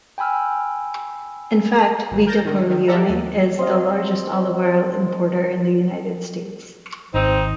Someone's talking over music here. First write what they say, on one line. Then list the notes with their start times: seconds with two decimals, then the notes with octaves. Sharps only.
In fact, Vito Corleone is the largest olive oil importer in the United States.
0.18 G5 G#5 B5 E6 F6
2.11 G#1
2.27 A#4 G6 A6 A#6
2.45 D3 D#3
2.69 D#3
2.87 G4 A4 D5 E5 F#5 A#5
3.09 D#2
3.59 C4 D#5 F5
7.14 G#1 C4 D#4